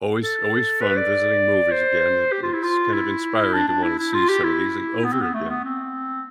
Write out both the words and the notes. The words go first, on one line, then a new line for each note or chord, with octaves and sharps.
Always always fun visiting movies again, it it's kind of inspiring to wanna see some of these a over again.
A4
B4
D5
C5
G4
F4
E4
F4
E4
D4
D4
E4
E4
F4
G4
E4
B3
C4
B3
A3
B3
C4